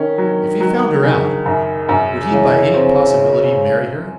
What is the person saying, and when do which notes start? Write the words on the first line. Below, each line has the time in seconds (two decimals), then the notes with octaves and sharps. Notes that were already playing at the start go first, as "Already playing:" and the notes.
"If he found her out, would he by any possibility marry her?"
Already playing: D#3 C#4
0.18 F#3
0.60 F#3
1.03 C#3
1.46 F#2
1.89 F#2
2.31 C#3 E3
2.74 C4